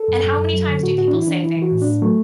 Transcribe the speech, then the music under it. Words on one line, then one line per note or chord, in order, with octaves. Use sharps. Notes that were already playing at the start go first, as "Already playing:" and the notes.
And how many times do people say things
Already playing: A4
F#2
F#2
F#2
F#3
D3
A2 F#4
A2 F#4
D4
E3 E4
E4
E3 D4
E3 E4
E3
F#4
A2
A2 D4
F#3 A3